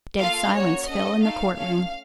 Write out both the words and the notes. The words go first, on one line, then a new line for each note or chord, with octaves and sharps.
Dead silence fell in the court-room.
A#3 F4 A4 F5
A#3 C#4 F#4 C#5
C#4 F#4 A4 D#5
A3 D#4 A4 F5
A3 C#4 A4 F5